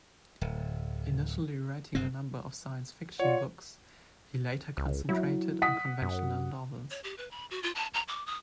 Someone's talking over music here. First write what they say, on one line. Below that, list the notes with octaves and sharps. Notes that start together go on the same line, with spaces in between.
Initially writing a number of science fiction books, he later concentrated on conventional novels.
D1
F#1 G2 C4
F4 C#5 D5 F#5
C#2
F#3 E4
F#5 D#6 B6
F#2
C#5
G4
B4
B5
F#4
F4
A5
A#5
D6
D#6